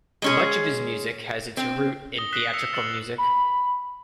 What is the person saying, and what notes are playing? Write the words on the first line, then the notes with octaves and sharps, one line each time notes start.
Much of his music has its root in theatrical music.
G#3 C#4 G#4
C4
D#6 A#6 G7
F#6 B6 C7 E7
E6 C#7 F7
F6 A6 C#7 E7 F#7
B5